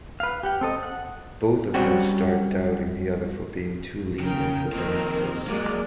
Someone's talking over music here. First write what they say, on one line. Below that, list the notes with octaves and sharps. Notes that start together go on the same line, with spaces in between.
Both of them start doubting the other for being too lenient with their exes.
B4 F5
G4 F#5 G5
C4 A4 D#5
F#5
G3 C4 C#4 F#4
C#3 A#4 G5
D#3 F3 A#3 C4 A#4
F#3 G#3 A#3 D5